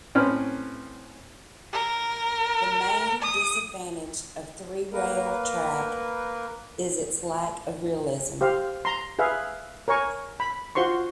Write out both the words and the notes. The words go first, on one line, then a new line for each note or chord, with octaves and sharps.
The main disadvantage of three-rail track is its lack of realism.
A2 C4 C#4 B4 F6
A#4
D#6
A#3 A#4 B4
G4 C5 F5
A#5 C6
G#4 B4 E5 F5
A#4 C#5 G#5 C#6
B5
F4 F#4 C5 C6 C#6